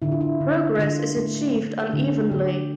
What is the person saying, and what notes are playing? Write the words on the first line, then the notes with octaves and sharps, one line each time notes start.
Progress is achieved unevenly.
D3 E4
F4
E4
D3
D3 F4
A3
A3
D3
D3 G4